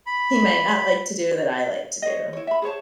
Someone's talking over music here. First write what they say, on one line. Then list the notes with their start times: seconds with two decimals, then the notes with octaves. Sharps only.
he might not like to do, that I like to do.
0.07 B5
2.02 C#5 D#5
2.33 E4 C#5
2.47 E5 B5
2.62 G#4 C5 C#5 A5